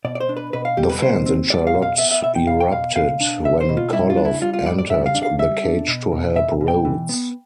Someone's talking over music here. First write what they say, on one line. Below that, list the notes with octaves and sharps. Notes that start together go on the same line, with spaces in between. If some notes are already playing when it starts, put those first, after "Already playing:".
The fans in Charlotte erupted when Koloff entered the cage to help Rhodes.
B2 D5
D5
C5
D4
B4
B2 B4
F5
G3 G4
B4
B2 C5
C4
G3 D5
F5
B2
F5
B3 E5
E5
B2 E5
G5
B2 F5
G5
B2 F5
B2 F5
D4
B2 E5
C5
B2
F4
G3 E4
F4
D4
E4
G3 F4
F4
A2 D5
D5
G3 E5
F5
D4
F5
G3 E5
D4
B2
B2
B2 E5
B2
G5
E3
B3